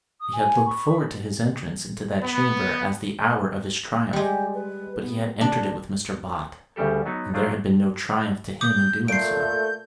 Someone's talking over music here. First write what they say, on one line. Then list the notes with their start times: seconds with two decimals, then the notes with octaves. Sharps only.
He had looked forward to his entrance into that Chamber as the hour of his triumph; but he had entered it with Mr. Bott, and there had been no triumph to him in doing so.
0.20 D#6
0.33 G#5
0.65 B5 C#6
2.22 B3
4.13 G3 G#3 G4
4.54 B4
5.01 B3
5.41 D4 A5
6.76 D2 C#3 G3 G4 A4
7.06 F#3 B3 D#4
7.34 F3 F#3 D4 F4
8.61 D6 D#6 G6
9.08 A#2 A3 G6 C7 D7